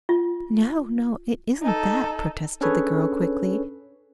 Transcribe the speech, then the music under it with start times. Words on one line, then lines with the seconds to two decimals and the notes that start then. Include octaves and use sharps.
"No, no, it isn't that," protested the girl quickly.
0.09 F4
1.62 D#4 A4
2.61 C#4 D4 G#4 A4 B4 C#5